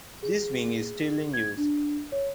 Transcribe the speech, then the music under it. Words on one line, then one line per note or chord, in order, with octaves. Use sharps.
This wing is still in use.
G#4
G#6
D4
C#5